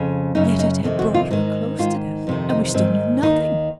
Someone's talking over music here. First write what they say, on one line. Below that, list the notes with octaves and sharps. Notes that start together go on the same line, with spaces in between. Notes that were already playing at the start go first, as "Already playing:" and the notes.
Yet it had brought her close to death,--and we still knew nothing.
Already playing: F2 C#3
F#2 C#3 D#4
D#4
F2 C3 D#3
F#4
F4
G#2 D#3 D#4
G#2 D#3 F4
F2 C3 D#3
D#4
G#2 D#3 C4
D#2 D#3 D#4